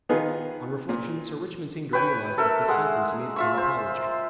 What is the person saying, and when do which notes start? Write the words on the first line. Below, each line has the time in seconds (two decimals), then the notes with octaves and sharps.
On reflection Sir Richmond seemed to realize that this sentence needed some apology.
0.09 D#3 B3 D#4 F4 G#4
0.89 A#2
1.93 B4 C#5 G5 G#5
2.38 A4 A#4 E5
2.68 G#3 F#5
3.36 F4 E5 C#6
3.58 C5